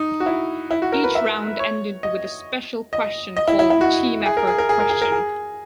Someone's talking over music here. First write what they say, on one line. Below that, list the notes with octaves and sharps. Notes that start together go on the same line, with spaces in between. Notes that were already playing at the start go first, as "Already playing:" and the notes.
Each round ended with a special question called the "Team Effort Question".
Already playing: D#4
F#4
E4
E4
F#4
A#4
B4
E5
C#5
D#5
D#5
D#5
E4
E4
E4
F#4
G#4
A#4
G#4
A#4
G#4
A#4
G#4
A#4
G#4